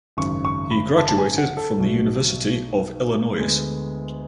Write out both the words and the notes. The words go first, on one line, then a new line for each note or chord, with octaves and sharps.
He graduated from the University of Illinois.
G#1 F#2 C#3 C#6
C#6
B5
A5
A5
G#5
F#5
A4
B1 B2 F#3
D2 D3 G#3 B3